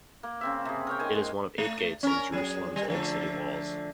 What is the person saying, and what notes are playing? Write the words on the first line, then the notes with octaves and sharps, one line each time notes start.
It is one of eight gates in Jerusalem's Old City walls.
A#3
C#3 C4 E5
C3 G#4
A#4 C#5 G5
D#3 C5 G#5
G#3
A3
C#4 A#4
F#3 G#4
G3
D3 F3 A3